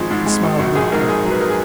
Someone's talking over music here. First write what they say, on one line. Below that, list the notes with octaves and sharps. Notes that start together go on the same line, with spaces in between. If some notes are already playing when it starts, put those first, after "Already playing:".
He smiled weakly.
Already playing: G#1 F3 G#3
G#2
G#3
G#1
A#1 F#4
A#1 G#4
G#2 A#4
A#1 G#4
F#3
B4
A#4
G#4